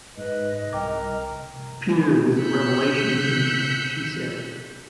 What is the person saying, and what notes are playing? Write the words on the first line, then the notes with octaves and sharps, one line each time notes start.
"Peter was a revelation to me," she said.
G#2 B4 D#5
C2 A#4 G5 D6
E6 F#6 G6 B6 C#7